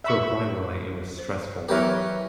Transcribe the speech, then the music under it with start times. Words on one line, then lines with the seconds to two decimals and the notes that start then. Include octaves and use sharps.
to a point where, like, it was stressful,
0.04 E5 B5 C#6
1.19 C5
1.69 E3 F#3 B3 G4 A#4 B4 C#5